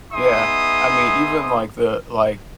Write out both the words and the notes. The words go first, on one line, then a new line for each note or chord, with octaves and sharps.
Yeah, I mean, even like the, like
B3 D#4 G#4 E5 C6 D#6